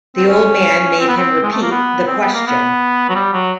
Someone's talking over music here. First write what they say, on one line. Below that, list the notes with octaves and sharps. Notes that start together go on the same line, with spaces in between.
The old man made him repeat the question.
C4
C#4
C4
B3
C4
G#3
A3
A#3
B3
C4
B3
A#3
B3
F#3
G3
F#3